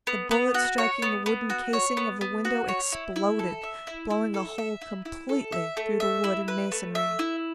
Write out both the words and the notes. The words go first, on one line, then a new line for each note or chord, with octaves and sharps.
The bullet striking the wooden casing of the window exploded, blowing a hole completely through the wood and masonry.
B3
B3
F#4
C#5
B3
B3
F#4
C#5
B3
B3
F#4
C#5
E4
E4
A4
E5
E4
E4
A4
E5
E4
E4
A4
E5
A3
E5
E4
B4
A3
E5
E4